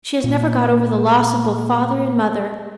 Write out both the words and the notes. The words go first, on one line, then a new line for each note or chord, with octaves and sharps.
'She has never got over the loss of both father and mother.'
A#2 A#3